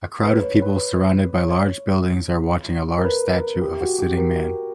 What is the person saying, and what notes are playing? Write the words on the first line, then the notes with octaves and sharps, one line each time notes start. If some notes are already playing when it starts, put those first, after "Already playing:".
A crowd of people surrounded by large buildings are watching a large statue of a sitting man.
B4
C#5
B4
C#5
A#4
B4
A#4
G4
F#4
G4
A#4